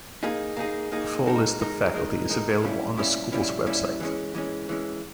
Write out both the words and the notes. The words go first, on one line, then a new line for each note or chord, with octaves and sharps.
A full list of faculty is available on the school's website.
A#3 D#4 G#4
A#3 D#4 G#4
A#3 D#4 G#4
G#3 D#4 A#4
G#3 D#4 A#4
G#3 D#4 A#4
G#3 D#4 A#4
A#2 G3 C#4 E4
A#2 G3 C#4 E4
A#2 G3 C#4 E4
A#2 G3 C#4 E4
E3 G#3 C#4
E3 G#3 C#4
E3 G#3 C#4